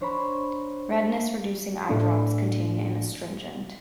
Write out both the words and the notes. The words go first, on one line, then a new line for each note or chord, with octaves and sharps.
Redness-reducing eye drops contain an astringent.
D4 C5 C#5 A#5 B5
A2 A3 D4